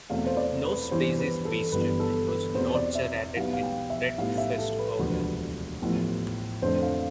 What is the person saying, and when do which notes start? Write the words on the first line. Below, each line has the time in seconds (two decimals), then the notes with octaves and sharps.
No space is wasted because nodes are added in breadth-first order.
0.10 E2 B2 A3 C4 F5
0.26 C5
0.37 D5
0.64 B4
0.91 G2 E3 B3 C5
1.19 B4
1.45 A4
1.72 G1 G2 E3 B3 B4
2.00 A4
2.27 B4
2.54 E2 B2 G3 C4 C5
2.75 D5
2.95 E5
3.16 E5
3.36 B1 B2 G3 B3 F5
3.53 F5
3.63 G5
3.90 E5
4.18 B1 A2 G3 B3 F5
4.38 E5
4.58 A4
4.79 B4
4.99 E1 D2 C3 F3 B4
5.81 A1 A2 F3 B3
6.62 F2 D3 A3 C4 C5
6.82 F5